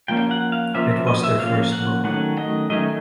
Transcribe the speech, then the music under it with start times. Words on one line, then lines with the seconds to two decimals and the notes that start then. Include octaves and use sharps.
It was their first book.
0.08 F3 A#3 C#4 G5
0.31 F#5
0.52 F5
0.74 F3 A#3 C#4 E5
0.90 E5
1.07 D#5
1.23 E5
1.39 F3 A#3 C#4 F5
1.72 F#5
2.04 D#3 F#3 A3 C#4 F#5
2.37 D#5
2.70 D#3 F#3 A3 C#4 D#5